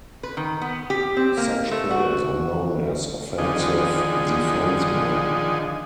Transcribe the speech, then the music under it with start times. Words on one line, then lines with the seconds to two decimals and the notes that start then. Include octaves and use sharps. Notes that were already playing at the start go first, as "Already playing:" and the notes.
Such players are known as "offensive defencemen".
0.23 B4
0.37 D#3
0.61 B3
0.90 G4
1.17 C4
1.37 A#3
1.71 A3
1.91 F#4
3.38 D3 D#3 F3 D#4 G#4